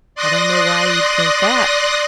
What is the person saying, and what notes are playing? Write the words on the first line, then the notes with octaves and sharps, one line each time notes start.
"I don't know why you'd think that."
D5 C6 D#6 F#6 A#6